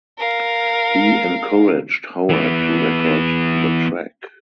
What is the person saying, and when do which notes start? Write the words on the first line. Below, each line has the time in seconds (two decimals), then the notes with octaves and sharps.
He encouraged Howard to record the track.
0.18 A#4 F5
2.29 E3 B3